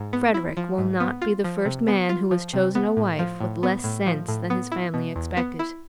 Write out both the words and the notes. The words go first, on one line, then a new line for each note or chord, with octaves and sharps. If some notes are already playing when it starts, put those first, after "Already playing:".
Frederick will not be the first man who has chosen a wife with less sense than his family expected.
Already playing: G#2
B3
E4
F3
G#2
B3
F4
F3
C3
B3
F4
F3
C3
B3
A2
F3
A2
B3
A2
F3
A2
B3
E4
B2
E2
B3
E4